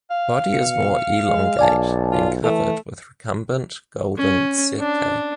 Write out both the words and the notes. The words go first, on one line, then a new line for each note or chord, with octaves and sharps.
Body is more elongate and covered with recumbent golden setae.
F5
B2 C#7
G#3
B1 D5 G#5 A5
F4
E3 A3 A4
C#4
D4